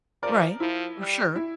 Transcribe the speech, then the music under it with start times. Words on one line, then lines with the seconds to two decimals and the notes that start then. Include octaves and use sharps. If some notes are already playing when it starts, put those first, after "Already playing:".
Right, r sure.
0.23 F3 A#4 D5
0.60 F3 E4
0.98 G3
1.36 E4